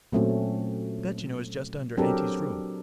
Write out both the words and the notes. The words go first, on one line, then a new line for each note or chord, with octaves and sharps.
That you know is just under auntie's room.
A#2 F#3 A3 C4 C#4
F#3 C4 D4 G4 A4 A#4